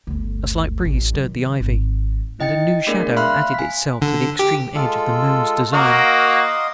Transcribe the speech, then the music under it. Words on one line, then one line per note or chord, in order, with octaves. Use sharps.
A slight breeze stirred the ivy, and a new shadow added itself to the extreme edge of the moon's design.
G1 D2
A1
D#3 F#3
G#1
E4 D#5 G5 A6 C#7
A3 B3 D4 G#4 A#4 D5
E5 F5 B5 C6 F6 F#6
G#5 B6
D3
G4
G#3 F4 A4
A#3 F#4 A#4 D#5 F5 C6